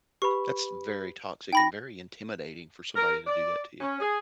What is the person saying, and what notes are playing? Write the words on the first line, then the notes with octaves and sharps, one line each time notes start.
That's very toxic and very intimidating for somebody to do that to you.
G4 B4 B5 C#6
D#4 G5 B5 A#6
A#4
D5
C#4
G#4